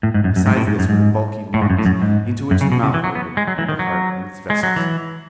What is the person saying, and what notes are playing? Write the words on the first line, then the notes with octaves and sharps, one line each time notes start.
Besides this were the bulky lungs, into which the mouth opened, and the heart and its vessels.
A2
G#2
F#2
F#2
G#2
A2
G#2
F#2
G#2
A2
G#2
F#2
A2
F#2
G#2
F#2
C#3
B2
C#3
E3
F#3
B3
G#3
F#3
E3
D#3
F#3
G#3
F#3
E3